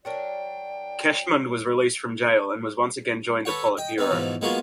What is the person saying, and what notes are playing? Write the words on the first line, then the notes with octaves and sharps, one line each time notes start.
Keshtmand was released from jail, and was once again joined the Politburo.
F#3 D4 A#4 D5 G5
A4 B4 C#5 F#5
D#5 G5
B3 C4 D#4
G#2 B2 E3 F3
G#3 A#3 B3 F4 F#4 G#4